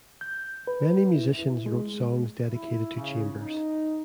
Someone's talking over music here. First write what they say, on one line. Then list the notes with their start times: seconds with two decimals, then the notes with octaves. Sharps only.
Many musicians wrote songs dedicated to Chambers.
0.21 G6
0.67 B4
1.15 E4
1.66 G#3
2.50 E4
2.96 C#3
3.39 D#4